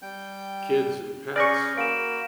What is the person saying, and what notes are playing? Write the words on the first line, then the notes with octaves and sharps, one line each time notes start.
kids and pets,
G3 G5 G6
C#4 G#4 B4 D5 C#6 F6 G6 A#6
A#3 F#4 B5 D7 E7